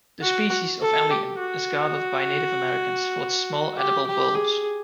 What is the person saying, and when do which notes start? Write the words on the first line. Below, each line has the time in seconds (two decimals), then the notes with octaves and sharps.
This species of "Allium" is gathered by Native Americans for its small edible bulbs.
0.22 F#4
0.81 A4
1.11 G4
1.40 F#4
3.76 G4
4.06 G4
4.35 G#4